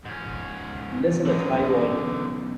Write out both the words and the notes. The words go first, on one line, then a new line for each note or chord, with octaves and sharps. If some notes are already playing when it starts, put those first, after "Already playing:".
Listen at high volume.
G#2 C#4
B1 D3 C#4 D#4